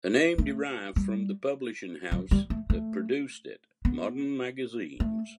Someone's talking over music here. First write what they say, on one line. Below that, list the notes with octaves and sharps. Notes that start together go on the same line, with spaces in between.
The name derived from the publishing house that produced it, Modern Magazines.
A3
G3
F#3
G3
A3
A3
B3
A3